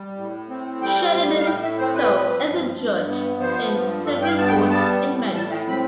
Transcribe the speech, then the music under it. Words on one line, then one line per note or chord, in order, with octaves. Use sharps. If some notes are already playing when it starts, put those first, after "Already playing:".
Sheredine served as a judge in several courts in Maryland.
Already playing: G3
A2
C4
G3 G5
A2
F5
A2 G5
E5
C4 C5
B4
F3
G2
G2
B3
F3 C5
G2
G2 A4
G5
F5
B3 A5
G5
G3 A5
A2
A2 A5
C4 B5